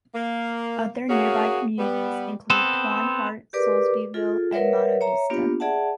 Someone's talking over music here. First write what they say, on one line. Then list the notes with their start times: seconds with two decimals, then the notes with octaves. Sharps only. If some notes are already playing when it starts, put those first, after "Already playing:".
Other nearby communities include Twain Harte, Soulsbyville, and Mono Vista.
0.15 A#3
1.09 A#3 C#4 F#4 G#4
1.78 G3 B3
2.50 B3 C4 A4
3.53 G4 G#4 A#4 B4 D5 D6
4.14 F4 G#4 A4
4.52 A#4 B4 C#5 D5 E5 F#5
5.01 C#5 E5 A#5
5.30 A#3 B3 D4 F4 G4
5.60 G#4 D5 E5 F#5 A5